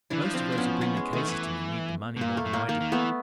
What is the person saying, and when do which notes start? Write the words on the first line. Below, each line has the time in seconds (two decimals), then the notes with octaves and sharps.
Most of those who bring their cases to me need the money more than I do.
0.10 E3 D4 E4
0.22 F3
0.34 C4 D4
0.52 D4
0.58 B3 C#4
0.81 B3 C#4
0.97 G#3
1.13 D#3 A3
1.28 E3
2.17 B2
2.21 A#2 A#3
2.37 A3
2.45 A2
2.53 A#3
2.69 D#3 A#3
2.81 D#3
2.92 E3 A3 B3